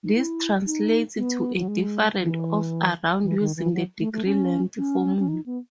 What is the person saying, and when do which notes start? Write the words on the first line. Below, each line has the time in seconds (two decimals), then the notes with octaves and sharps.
This translates to a difference of around using the degree length formula.
0.04 D#4
0.14 E4
0.66 D#4
1.17 B3
1.58 F#3
1.68 G#3
2.20 E3
3.23 E3
3.40 D#3
3.57 E3
3.74 F#3
4.00 A3
4.13 A3
4.26 C#4
4.77 C#4
5.20 C#4
5.28 D#4
5.46 B3